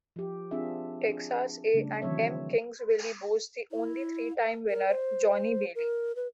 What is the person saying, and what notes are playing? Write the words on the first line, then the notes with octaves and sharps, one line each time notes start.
Texas A and M-Kingsville boasts the only three-time winner, Johnny Bailey.
F3 G4
C4 D4 F4 G#4 E5
D4 G#4
C#3 G3 A3 D4
D#3 E3 F#3 C4 C#5 E5
E4
A#4
C5
A#4
B4